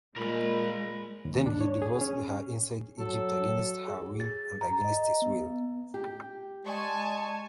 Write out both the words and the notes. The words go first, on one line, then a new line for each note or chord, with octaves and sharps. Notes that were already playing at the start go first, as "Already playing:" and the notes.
Then he divorced her inside Egypt against her will and against his will.
A#2 G#3 A#4 B5
D#2
D4
C#5
G#4
C#4
F#3 A4
G#4
A6
A#5
D#5
B3
G4
G#3 D5 G#5 A5 C#6